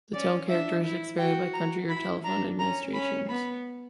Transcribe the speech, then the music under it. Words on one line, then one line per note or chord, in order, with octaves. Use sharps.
The tone characteristics vary by country or telephone administrations.
C#4 D5
D4 E5
E4
F#4 G5
A#5
E4 B5
D4 A#5
C#4 A#5
C#4 B5
B3 B5